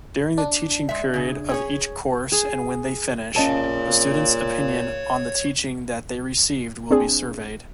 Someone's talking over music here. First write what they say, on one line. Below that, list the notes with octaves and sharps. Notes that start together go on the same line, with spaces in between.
During the teaching period of each course and when they finish, the students’ opinion on the teaching that they received will be surveyed.
D4
G#3 E5
C#3 G#4
C#4 G#4 C#5
G#4
A#2 C#4 C#5 D#5 F5 A5
C4 D4 G#4